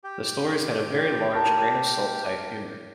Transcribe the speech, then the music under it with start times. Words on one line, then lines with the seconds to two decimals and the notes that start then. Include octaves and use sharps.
The stories had a very large grain-of-salt-type humor.
0.04 G4 G5
1.33 A#4 A5